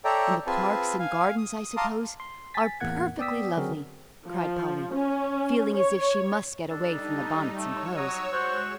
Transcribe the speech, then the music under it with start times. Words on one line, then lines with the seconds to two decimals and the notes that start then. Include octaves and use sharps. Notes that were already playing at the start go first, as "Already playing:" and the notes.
"And the parks and gardens, I suppose, are perfectly lovely," cried Polly, feeling as if she must get away from the bonnets and clothes.
0.05 A4 C#5 D5 E5 G5 A#5
0.47 C4 F4 G#4 B4 G#5 A5
0.99 F5 G#5
1.37 D#6
1.77 F5 A5 A#5 C6 D6 D#6
2.20 C6
2.54 G#5 A6 B6
2.80 E2 A2 A#3 F#5 G#6
3.18 B3 D5 G5 D#6 E6 B6
3.57 D3 F#3 C4 F#4 G#4 A#4
4.26 F3
4.92 C#4
5.74 C#5
6.70 G3 D4 D#4 A4
7.57 A3 C#5 E6
7.96 F#3 A#5 D#6
8.32 G#3 F#4 G#4 C5 F#5 C#6 E7